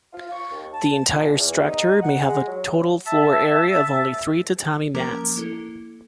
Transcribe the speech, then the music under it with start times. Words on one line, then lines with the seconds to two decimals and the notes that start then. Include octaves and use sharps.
The entire structure may have a total floor area of only three tatami mats.
0.13 F4
0.32 C#6
0.51 D#2
0.73 A5
1.12 A#2
1.34 E2
1.65 D#4
2.03 F#5
2.21 G#3
2.47 F#3
3.06 E5 A5
4.95 F3 A#3 C#4 A#4 A#5 D6
5.36 A#3 E4 A4